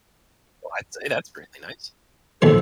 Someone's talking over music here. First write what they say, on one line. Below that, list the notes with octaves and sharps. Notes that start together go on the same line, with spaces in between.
Well, I'd say that's really nice.
A#1 D#3 A4 C5